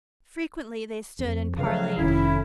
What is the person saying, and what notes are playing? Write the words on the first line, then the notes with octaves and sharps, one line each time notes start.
Frequently they stood and parleyed.
F2
C#2 C#3 F3 F#3 F5
F1 B1 A2 D#3 C#4 E4